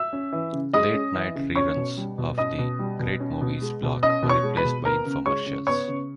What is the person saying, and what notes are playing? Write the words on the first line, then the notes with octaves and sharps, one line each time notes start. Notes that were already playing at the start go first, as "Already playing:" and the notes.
Late night reruns of the "Great Movies" block were replaced by infomercials.
Already playing: E5 E6
C#4
E3
C#3
G#3 D#5 D#6
C#4
E3
C#3
C#4 C#5 C#6
B2
G3
B2
C#4 D#5 D#6
B2
G3
B2
C#4
B2
G#3
B2
C#4 D#5 D#6
B2
C#5 C#6
G#3
B4 B5
B2
B3 A#4 A#5
C#3
G#3 C#5 C#6
C#3
B3 C#5 C#6
C#3